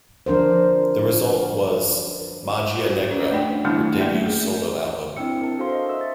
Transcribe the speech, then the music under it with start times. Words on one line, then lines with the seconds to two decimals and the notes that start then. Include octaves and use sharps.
The result was "Magia Negra", her debut solo album.
0.26 F3 D4 A#4 C5
2.83 F#4 A4 B4 C5
3.11 C#4
3.31 A3 D4 D5 G5
3.65 D#3 G3 A3 B3 D4 E4
3.98 A3 A#3 D5 E5
4.26 G#4
5.16 C4 D4 E4 G5 E6 C#7
5.41 A#4 A5
5.58 D4 F#4 A4 C5 F5 C6
5.72 D#5
5.89 E5 E6
6.01 A6